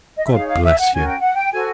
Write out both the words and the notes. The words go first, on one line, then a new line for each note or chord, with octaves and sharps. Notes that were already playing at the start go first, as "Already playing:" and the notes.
God bless you!
D#5
E5
D#4 G#4 C#5 F5
F5
E5
F#5
C#4 F#4 A#4 G#5
G5
F#5
G5
F#4 A4 C5 G#5